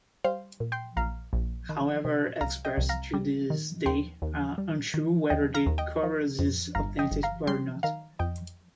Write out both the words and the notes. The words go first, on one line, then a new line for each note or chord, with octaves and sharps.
However, experts to this day are unsure whether the kouros is authentic or not.
G3 C5 F5
A#2
G5 C6
A#1 F5 A#5
A#1
D#3
C3
C2 F5 A#5
D#5 G5
C2
F5 A#5
G3
D#3
D#2 G5 C6
D#2
G3
D#3
D#2 D#5 G5
F5 A#5
D#2
D#5 G5
F3
F2
G1 F5 A#5
D#5 G5
G1
F5 A#5
G3 G5 C6
D#3 F5 A#5
F2 D#5 G5